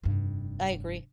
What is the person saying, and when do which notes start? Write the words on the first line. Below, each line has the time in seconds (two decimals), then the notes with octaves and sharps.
I agree.
0.03 F1 G2